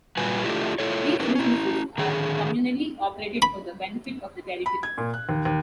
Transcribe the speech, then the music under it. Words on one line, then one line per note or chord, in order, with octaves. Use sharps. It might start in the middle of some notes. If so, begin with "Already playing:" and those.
These businesses are communally operated for the benefit of the Territory.
A#2 G3 F4 F#4 B4 G#5
A3 D4 E4 F4 G4
E4 F4 A4 C#5
C#4 D#4 E4 G4 A#4 B4
C#4 E4
D3 D#3 G#4
B5
B5
G#6
A#2
F#6
D#2
D#2